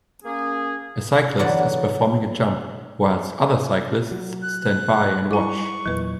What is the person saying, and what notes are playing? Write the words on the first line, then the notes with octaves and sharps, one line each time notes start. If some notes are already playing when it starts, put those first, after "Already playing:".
A cyclist is performing a jump whilst other cyclists stand by and watch.
A#3 C#4 G#4
E2 D3 F#3 D5 F#5
F#3
F#6
G3 E4 C#6 D6
E2 A#2 E3 F#3 B4